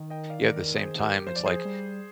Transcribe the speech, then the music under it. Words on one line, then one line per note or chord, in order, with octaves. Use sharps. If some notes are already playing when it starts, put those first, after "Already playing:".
yeah, at the same time, it's like,
Already playing: D#3
D#5 G5
D5 F5
A#4 D5
G#4 C5
G4 A#4
F3 C5
D5
G#4 C5
G3